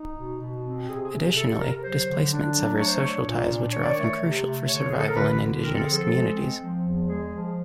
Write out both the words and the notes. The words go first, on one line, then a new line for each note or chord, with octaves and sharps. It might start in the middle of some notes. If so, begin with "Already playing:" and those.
Additionally, displacement severs social ties which are often crucial for survival in indigenous communities.
Already playing: D#4
B2
B2
C4
C3 G#4
G#4
C3
G#4
C3 A4
C3 A#4
F#3 C5
D3
D4
F#3
A3 C#5
C5
D4 C#5
A#2
D4
D#3 C#5
D5
C#5
A3
C3
A3
D3 C#5
D3 G#4
A4
A#4
D3 B4
D3
C4 A#4
A4
F3 G#4
A4
G#3
C4
F3
E2
G#3 G#4
F3